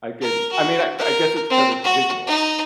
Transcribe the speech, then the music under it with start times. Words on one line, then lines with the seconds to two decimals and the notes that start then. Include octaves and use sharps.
I could I mean, I I guess it's because it's visual,
0.21 A#4
0.52 F#4
0.98 A#4
1.50 C4
1.83 F#4
2.27 D#4